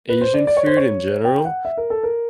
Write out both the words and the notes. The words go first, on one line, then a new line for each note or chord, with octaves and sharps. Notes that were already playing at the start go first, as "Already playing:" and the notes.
Asian food in general.
B4
C5
D5
D5
C#5
C5
C#5
G5
F#5
E5
A#4
A4
A#4